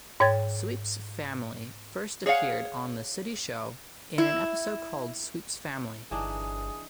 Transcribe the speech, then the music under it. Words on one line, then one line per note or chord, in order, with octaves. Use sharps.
Sweep's family first appeared on the Sooty Show in an episode called "Sweep's Family".
G#2 C#5 G5 G#6 A6
G#4 C#5 D#5 F5 F#5
E4
G1 E3 D4 D#4 G#4